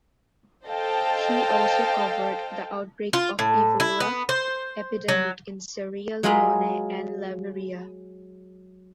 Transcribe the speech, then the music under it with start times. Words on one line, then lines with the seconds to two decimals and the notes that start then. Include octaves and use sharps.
He also covered the outbreak of Ebola epidemic in Sierra Leone and Liberia.
0.66 A4 C5 D#5 F5 G5 A5
3.13 F4
3.39 A2
3.80 E4
4.00 B3
4.29 C5
5.08 F#3
6.23 F#3 G#3 F4 G#4 A#4 B5